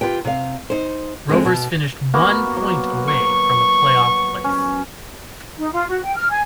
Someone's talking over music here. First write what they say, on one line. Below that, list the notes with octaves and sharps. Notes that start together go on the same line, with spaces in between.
Rovers finished one point away from a play-off place.
F4 G4 B4 G5
C3 F5
D#4 C5
D3 G#3 C4
B2 B3
A#3 B3 F#4
F#3
C#6
C#4
D#4
F4
F#4
G5
F6
G#5